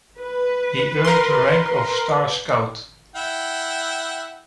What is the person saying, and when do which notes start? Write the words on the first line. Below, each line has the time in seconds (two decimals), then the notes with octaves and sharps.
He earned the rank of Star Scout.
0.21 B4
1.05 A#4 C6
3.15 E4 F#5 G5